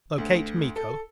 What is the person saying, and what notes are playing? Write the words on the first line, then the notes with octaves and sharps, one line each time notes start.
Locate Miko.
D2
A4